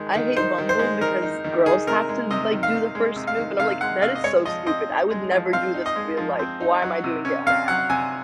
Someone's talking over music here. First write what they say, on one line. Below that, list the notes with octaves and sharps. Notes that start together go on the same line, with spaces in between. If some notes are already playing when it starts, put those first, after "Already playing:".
I hate Bumble because girls have to, like, do the first move, and, I'm like, "That is so stupid. I would never do this in real life. Why am I doing it on a app?"
Already playing: D#3 G#3
D#3
D#4 C5
D#3
C5
G#3
D#3 A#4
D#4
D#3
D#3 G#4
C3 A#4
G#3
C3 D#5
D#3
F5
C3
G#3
C3
F5
D#3
C3 F5
G#3 F#5
C3 F5
D#5
G#3 C#5
F3 D#5
C4 D#5
D#4
G#3
F3
C4 F5
D#4
D#5
G#3
F3
C4
D#4
F#3
C3
C#4
C3 F5
F#3 F#5
C3 G#5